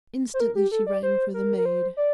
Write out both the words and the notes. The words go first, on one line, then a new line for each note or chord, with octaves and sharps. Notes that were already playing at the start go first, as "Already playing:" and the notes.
Instantly she rang for the maid.
C5
A#4
G4
A4
D5
C5
A#4
A#4
C5
D5